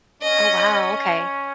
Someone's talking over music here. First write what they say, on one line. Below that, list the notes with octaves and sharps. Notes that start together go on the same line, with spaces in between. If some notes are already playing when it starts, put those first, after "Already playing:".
Oh, wow. Okay.
C#4 D#5